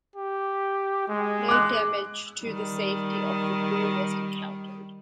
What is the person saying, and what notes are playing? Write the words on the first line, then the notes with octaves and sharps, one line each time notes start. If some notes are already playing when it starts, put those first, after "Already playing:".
No damage to the safety of the crew was encountered.
G4
G#3
D6 F#6
D#3 G3